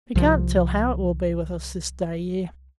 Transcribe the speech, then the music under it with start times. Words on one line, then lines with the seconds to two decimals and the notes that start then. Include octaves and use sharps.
We can't tell how it will be with us this day year.'
0.15 C2 F3